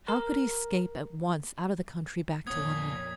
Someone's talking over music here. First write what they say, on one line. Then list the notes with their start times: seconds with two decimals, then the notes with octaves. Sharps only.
How could he escape at once out of the country,--back to London?
0.08 A#4
2.47 F2 A#2 B3 C#5 D#6 G#6